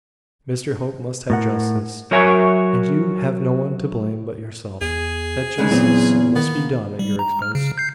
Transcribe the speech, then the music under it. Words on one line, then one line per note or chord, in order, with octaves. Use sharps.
Mr Hope must have justice, and you have no one to blame but yourself that justice must be done at your expense.
A2 A#4 F#5
F#3 F#4 A#4 C#5 E5 G#5
E2 G#4
D#2 C#3 G#3
E2 A#2 C#3 F#3 C4
D#3 A#3 B3
G3
A#5
F6
C#3
G6 C7